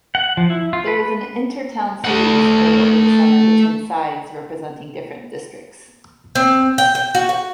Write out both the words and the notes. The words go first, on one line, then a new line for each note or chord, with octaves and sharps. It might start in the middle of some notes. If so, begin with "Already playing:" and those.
There is an InterTown Series played over the summer between sides representing different districts.
F#5
F3
E4
F4
B4
A3 F#5
C4
G5
G5
F#4
F#4